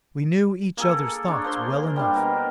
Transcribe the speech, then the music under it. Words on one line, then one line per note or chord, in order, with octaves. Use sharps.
We knew each others thoughts well enough.
A#3 G#4 A4
D4 C#5
A#3 C5 C6
G3 D4
B2 A#4